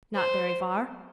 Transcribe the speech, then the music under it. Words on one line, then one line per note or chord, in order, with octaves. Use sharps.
"Not very far."
C5